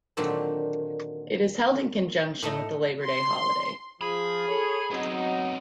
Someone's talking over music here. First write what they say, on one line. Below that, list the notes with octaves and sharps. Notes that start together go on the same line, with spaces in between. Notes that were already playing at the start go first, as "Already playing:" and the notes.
It is held in conjunction with the Labor Day holiday.
A#2 D3 D#3 F#3 C4
A2 A3 D#4
C6
F3 G#4 B5
A4 C#5
F#3 B3 C4 D#4